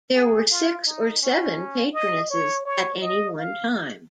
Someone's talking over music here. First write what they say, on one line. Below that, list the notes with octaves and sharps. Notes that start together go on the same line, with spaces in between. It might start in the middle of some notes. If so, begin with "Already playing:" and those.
There were six or seven Patronesses at any one time.
G#4
F4
D#4
C#4
D#5
C#5
C#5
D#5
F5